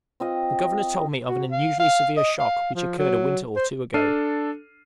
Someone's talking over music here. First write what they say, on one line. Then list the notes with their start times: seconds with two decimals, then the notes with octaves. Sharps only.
The Governor told me of an unusually severe shock which occurred a winter or two ago.
0.20 C4 F4 D#5
1.28 F#4
1.51 F5
1.80 F5
2.17 D#5
2.39 F5
2.75 F3
2.98 F#3
3.56 C5
3.94 D4 A4 F6 C7 D#7